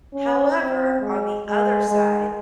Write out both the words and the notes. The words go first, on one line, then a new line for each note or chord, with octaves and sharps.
However, on the other side,
C#4
C4
G#3
G#3
G#3